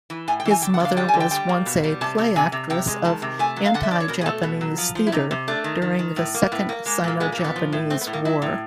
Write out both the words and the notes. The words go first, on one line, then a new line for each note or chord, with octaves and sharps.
His mother was once a playactress of Anti-Japanese Theatre during the Second Sino-Japanese War.
E3
A2 G#5
G5
E3
G#5
D3 G5
F#5
D3
F5
G3 G5
G#5
D3
G5
G3 G5
A#3
B2
G3
C3 A5
C3
C3 G#5
C3
C3 G5
G#3
D#3 A5
C3
A3 G#5
F#3
F5
D3 F#5
E5
D3 D5
C#5
B2 A#4
G#4
A3 A4
B2
F#3
F3
F3
E4
C3 D#4
C3
A3 D4
D#3
D#3
D#3
A2
A#3
A2 B3
A#3
G#3 A#3
A#2 A#3
G#3 B3
A#3
A#2
B3
F3
A2
A3 C4
B3
A2
A#3
F#3 E4
A2